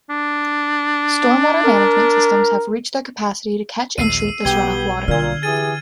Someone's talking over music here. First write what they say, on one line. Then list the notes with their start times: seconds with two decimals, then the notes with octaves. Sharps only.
Stormwater management systems have reached their capacity to catch and treat this runoff water.
0.10 D4
1.64 A#4
3.98 A#1 D#2 E6 C7 D#7
4.45 B1 G3 B3 G4 G#6 G7
5.08 A#2 D3 F6 G#6
5.43 E3 G4 G#4 A6 D#7